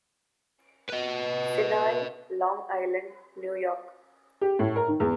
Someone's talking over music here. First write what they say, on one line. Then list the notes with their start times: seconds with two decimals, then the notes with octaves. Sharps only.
Sinai, Long Island, New York.
0.90 B4 D#5
4.41 G4
4.59 A2
4.76 A#4
4.88 D#3
5.00 E2